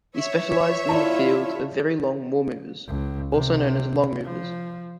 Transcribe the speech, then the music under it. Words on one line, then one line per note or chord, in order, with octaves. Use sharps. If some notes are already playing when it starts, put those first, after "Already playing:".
He specialized in the field of very long moremovers, also known as longmovers.
C#5 E5
E4 F4 D5 A5
C#2
C3
F3